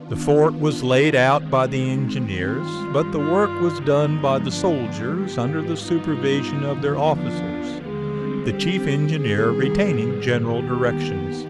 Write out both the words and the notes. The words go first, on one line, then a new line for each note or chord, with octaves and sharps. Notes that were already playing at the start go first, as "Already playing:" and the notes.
The fort was laid out by the engineers, but the work was done by the soldiers under the supervision of their officers, the chief engineer retaining general directions.
Already playing: D#3 B3 D4 F4
D#3 G#3 C4
G2 D#3 G3 F4
F4
G2 D3 F3 G#3 B3 D#4
D4
G#2 G3 B3 F4 G4
D#4
D#2 D3 F3 B3 F4
D4
D3 G3 G#3 C4
G4
G#2 D#3 G3 B3 G#4
D#2 D#3 B3 G4